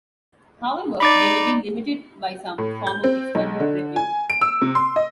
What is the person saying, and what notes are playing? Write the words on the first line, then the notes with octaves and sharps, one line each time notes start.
However, they may be limited by some form of external review.
D#4 D5 B5 D6 A6
A2
G6
C4
B1
D3
G#5
D7
E6
C3
C6
D#5